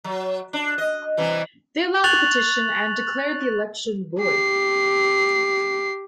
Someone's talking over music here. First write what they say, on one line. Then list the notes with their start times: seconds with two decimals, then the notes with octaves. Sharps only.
They allowed the petition and declared the election void.
0.04 F#3
0.53 D4
0.78 D#5
1.17 C3 E3 G3
2.04 C#6 F#6 A6 F7 F#7
4.19 G4 C7